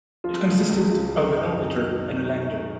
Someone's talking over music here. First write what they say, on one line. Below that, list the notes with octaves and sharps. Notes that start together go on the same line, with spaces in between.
It consisted of an orbiter and a lander.
F3 F4
C#3
C#2
C#3
D#3 D#4
F#2